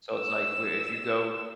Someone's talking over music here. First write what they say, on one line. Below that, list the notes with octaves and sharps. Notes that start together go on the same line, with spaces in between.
So, it's like, we if you go
E6